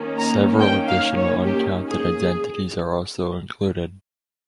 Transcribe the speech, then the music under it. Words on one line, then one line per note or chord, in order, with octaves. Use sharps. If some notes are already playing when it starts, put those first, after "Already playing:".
Several additional "uncounted identities" are also included.
Already playing: D#3 A#3 C#4
A#5
G5
F5
C#5
G4
G#4